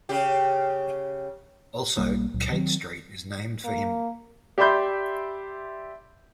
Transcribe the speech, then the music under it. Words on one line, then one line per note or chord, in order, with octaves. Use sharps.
Also, Cate Street is named for him.
C#3 G4
B1 G3 A#3
C#2 A#2 F#3
D#3 F#3 C4
A#3
G4 D5 E5 B5 C6 G6